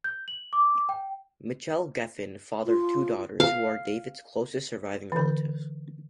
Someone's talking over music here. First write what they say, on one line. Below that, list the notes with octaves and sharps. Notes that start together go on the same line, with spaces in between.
Mitchell Geffen fathered two daughters, who are David's closest surviving relatives.
G6
F#7
D6
G5
F4
F5
D3 E3